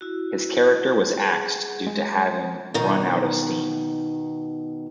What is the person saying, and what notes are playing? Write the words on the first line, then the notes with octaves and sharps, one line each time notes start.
His character was axed due to having 'run out of steam'.
E4 F#4
G#4 F#5
G#3
B2 D#3